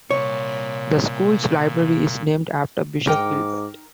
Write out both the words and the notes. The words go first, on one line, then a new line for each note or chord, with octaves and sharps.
The school's library is named after Bishop Gilbert.
C2 A#2 C#5
G#2 D#4 A#4 G5 D6